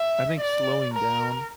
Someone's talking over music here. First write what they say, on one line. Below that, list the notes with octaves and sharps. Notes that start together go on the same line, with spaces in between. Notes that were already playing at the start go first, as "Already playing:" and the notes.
I think slowing down
Already playing: E5
D5
A#4